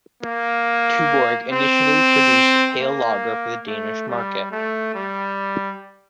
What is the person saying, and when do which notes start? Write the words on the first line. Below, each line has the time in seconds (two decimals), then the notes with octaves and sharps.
Tuborg initially produced pale lager for the Danish market.
0.23 A#3
1.52 C4
2.80 A#3
3.66 A3
4.09 G3
4.51 A3
4.95 G3